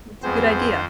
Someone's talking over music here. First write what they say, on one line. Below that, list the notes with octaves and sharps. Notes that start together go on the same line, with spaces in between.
It's a good idea.
F2 B3 C4 G#4 C5